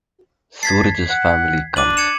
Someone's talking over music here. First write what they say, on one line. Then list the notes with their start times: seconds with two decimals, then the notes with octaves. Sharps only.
Suraj's family comes.
0.63 A5 G#6 B6 C7
1.10 F#5
1.76 D4 D6 D#7 F#7
1.97 G#6 C#7 E7